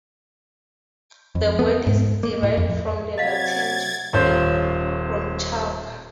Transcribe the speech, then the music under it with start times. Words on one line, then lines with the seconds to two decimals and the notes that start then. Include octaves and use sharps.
The word is derived from the Latin 'to flee from chalk'.
1.35 F2
1.59 B3
1.87 G#2
2.23 A#3
2.43 A2
2.57 F2
3.18 C3 F#3 D#5 F5 G#6 A6
4.13 D#1 C#4 F4 C5 G6